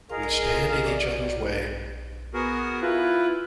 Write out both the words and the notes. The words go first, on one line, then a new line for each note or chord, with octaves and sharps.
We stand in each others' way!
F4 G#4 A#4 D#5
G#3
D#3 F4 A4
E3 D5
G3 C#5
B3 F#4 G#4 A#4
E4 F4 B4